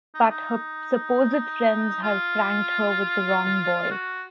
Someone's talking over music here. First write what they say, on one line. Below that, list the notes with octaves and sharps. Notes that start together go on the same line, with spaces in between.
But her supposed friends have pranked her with the wrong boy.
D#4
D4
D#4
F4
F#4